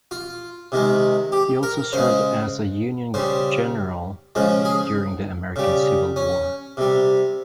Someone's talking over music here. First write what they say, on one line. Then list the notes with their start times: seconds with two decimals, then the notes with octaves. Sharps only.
He also served as a Union general during the American Civil War.
0.11 F4
0.72 C3 D#3 G#3
1.32 G4
1.63 A#4
1.93 C#3 G#3 C5
3.14 C#3 G3 C5
4.35 C#3 F3 G#3
4.65 G#4
5.56 C#3 G3
6.16 C#4
6.77 C3 G3